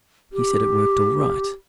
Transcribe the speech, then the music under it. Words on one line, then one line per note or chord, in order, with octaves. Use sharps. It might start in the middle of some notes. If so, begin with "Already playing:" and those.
He said it worked all right.
G4